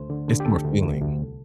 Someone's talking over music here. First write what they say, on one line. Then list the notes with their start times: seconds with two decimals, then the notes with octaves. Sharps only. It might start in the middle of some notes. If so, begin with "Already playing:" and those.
It's more feeling.
Already playing: D2 A3 C5
0.10 D3
0.28 D3
0.40 G4
0.45 D2 A4
0.64 D2
0.82 D2
1.01 D2
1.19 C2